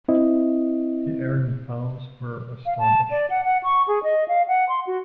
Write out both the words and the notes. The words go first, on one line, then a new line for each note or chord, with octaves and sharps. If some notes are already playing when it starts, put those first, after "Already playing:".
The Ehrenfels were astonished.
C4 E4 D#5
F5
A5
D5
F#5
F#5
C#6
G#4
D#5
F5
F#5
C6
F#4